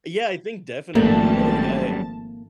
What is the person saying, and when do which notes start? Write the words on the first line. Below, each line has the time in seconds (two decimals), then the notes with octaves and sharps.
Yeah, I think definitely. Like, I
0.95 G#1 F#2 F3 G3 A3 A#3 A5